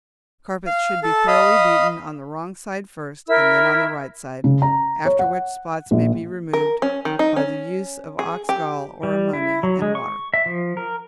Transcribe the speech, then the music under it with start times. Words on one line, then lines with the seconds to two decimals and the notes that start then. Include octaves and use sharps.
Carpets should be thoroughly beaten on the wrong side first and then on the right side, after which spots may be removed by the use of ox-gall or ammonia and water.
0.67 F5
1.03 A4 A5
1.28 D#5 F5 B5 D#6
3.26 E4 A#4 E6
4.44 C#3
4.62 A#5
5.05 C#5
5.19 F#5
5.91 A#1
6.53 A#4
6.82 C#4
7.05 D#3
7.19 D#4
7.36 C#4
8.19 G#4
8.49 G4
9.03 G3
9.33 E4
9.63 F#3
9.82 G#3
9.95 C#6
10.34 E5
10.46 F3
10.77 A#4